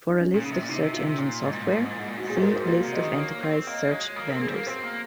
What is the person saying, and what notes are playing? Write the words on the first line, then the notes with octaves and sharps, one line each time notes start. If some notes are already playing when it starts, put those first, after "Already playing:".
For a list of search engine software, see List of enterprise search vendors.
D#4
C#4
A#2
C#3
C3
A#2
C3 D#4
C3
C3 F4
C3
A#2
G#2
A#2
G#2
A#2
G#2
A#2
G#2
A#2
G#2 F#4
A#2 G#4
G#2 C5
A#4
A#2
G#2 C5
A#2 C5
C3
D#5
D#3
A#3 C#5
C4
A#3 D#5
G#3 C#5
A#3
C4 A#4
A#3 G#4
C4
A#3 A#4
C4 C5
A#3